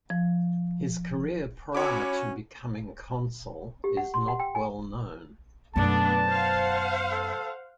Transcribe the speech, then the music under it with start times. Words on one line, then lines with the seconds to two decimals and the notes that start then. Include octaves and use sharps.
His career prior to becoming consul is not well known.
0.10 F3
1.75 C#4 F#4 C#5 B5 D6
3.84 G4
3.97 F#5
4.14 C6
4.28 F#5
4.40 G5
4.55 G#5
5.76 F#2 B2 A3 B3 D4 A5
6.27 C5 F5 F#5
7.12 A4